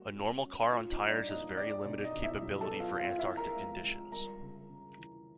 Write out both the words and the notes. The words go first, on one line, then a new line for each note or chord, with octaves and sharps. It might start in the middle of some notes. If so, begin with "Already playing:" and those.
A normal car on tires has very limited capability for Antarctic conditions.
Already playing: G3 A#3 F#4
C#4
C#4
A#2 F4 F5
D#4 D#5
G3
D4 D5
A#2 D#4 D#5
C4 D4 D5
B2 D4 D5
D#4 D#5
B2
E4 E5
F#3
A4 A5
B3
F4 F5
C4 F4 F5
E4 E5
F3
A#4 A#5
G#3
F3
G3 A#4 A#5
C#3
C#3
E3